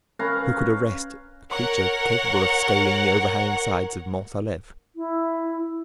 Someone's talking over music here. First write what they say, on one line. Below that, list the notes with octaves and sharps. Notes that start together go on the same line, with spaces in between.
Who could arrest a creature capable of scaling the overhanging sides of Mont Saleve?
C#4 B4 F5 A#5
A#4 C#5 F#5
E4